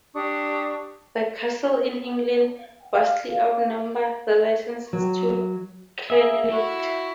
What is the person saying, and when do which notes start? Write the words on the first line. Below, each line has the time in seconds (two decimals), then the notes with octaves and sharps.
The castles in England vastly outnumber the licences to crenellate.
0.14 D4 G4 C#6 D#6
2.95 F5
4.93 F#3
6.10 G#4 E5
6.52 E4 F#4